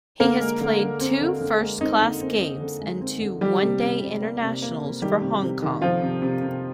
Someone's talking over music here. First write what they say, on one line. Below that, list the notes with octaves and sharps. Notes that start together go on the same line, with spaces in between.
He has played two first-class games and two One Day Internationals for Hong Kong.
D3 A#3 A#4
G#3
D3
D3
C4
D3
D3
G#3
C4 D#4
D3
C4
C4
D3
G#3
C4
D3
D#3 G3 G4
C3
C3
C3
A#3
C3
A#3
C3
D#3 G3 G4
C3
C3
D#3
C3 F3 F4
C3
C3
C3